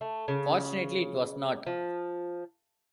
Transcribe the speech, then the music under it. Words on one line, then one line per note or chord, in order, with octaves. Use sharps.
Fortunately, it was not.
A3
C#3
F3